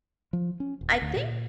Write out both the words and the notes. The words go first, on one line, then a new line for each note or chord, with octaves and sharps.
I think
F3
C#4
D#1
D2
A#2